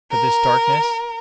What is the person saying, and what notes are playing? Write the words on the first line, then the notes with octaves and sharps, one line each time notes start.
"But this darkness?"
A#4